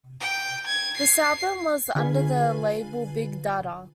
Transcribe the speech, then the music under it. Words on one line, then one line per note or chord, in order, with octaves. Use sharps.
This album was under the label Big Dada.
G5
G#6
C7
D3 F4 G#4 B4 G#5